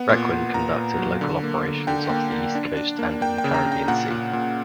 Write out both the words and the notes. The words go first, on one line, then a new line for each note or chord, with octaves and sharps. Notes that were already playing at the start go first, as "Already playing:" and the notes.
"Requin" conducted local operations off the East Coast and in the Caribbean Sea.
Already playing: B3 F#5
A#2
A#2
A#2 A#5
A#2
F#3
D3
A#3
D3
D3 G5
A#3
A#3
D4
D4
A#3
A#3 G5
G5
C#3
A#5
C#3
G5
A#2 F#5
A#2
A#2